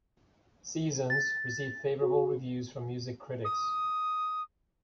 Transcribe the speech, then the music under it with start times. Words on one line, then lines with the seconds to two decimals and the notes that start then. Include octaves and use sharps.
"Seasons" received favourable reviews from music critics.
1.10 A6
2.02 F#4
3.44 D#6